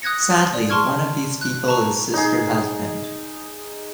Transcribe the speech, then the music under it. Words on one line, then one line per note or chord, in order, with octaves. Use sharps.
Sadly, one of these people is Sister Husband.
D#6 F#6 G#6 A#6 C#7
D5
A5 C6 C#6 F6 G#6
F#6
A5 A#5 C#6
D#4 G#4